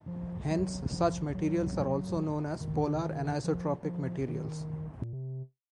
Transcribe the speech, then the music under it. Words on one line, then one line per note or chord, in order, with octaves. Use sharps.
Hence, such materials are also known as "polar anisotropic" materials.
F3
F#3
F3
F#3
D#3
C#3
D#3
F3
F#3
F3
D#3
A#2
C3